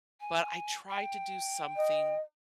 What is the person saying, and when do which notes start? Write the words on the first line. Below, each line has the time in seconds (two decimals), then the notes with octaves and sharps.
but I try to do something
0.21 G#5
0.89 G5
1.76 D#5